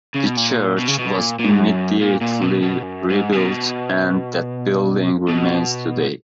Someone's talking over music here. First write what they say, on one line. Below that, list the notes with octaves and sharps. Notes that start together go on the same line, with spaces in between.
The church was immediately rebuilt and that building remains today.
C#3
B2
A#2
B2
C#3
B2
A#2
A#2
G#2
F#2
A#2
A#2
B2
B2
F#2
G#2
C#3
B2
B2